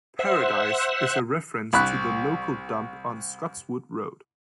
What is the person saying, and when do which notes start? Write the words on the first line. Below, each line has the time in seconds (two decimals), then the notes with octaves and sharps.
Paradise is a reference to the local dump on Scotswood Road.
0.19 C5 E5 F#5
1.73 C2 B5 F#6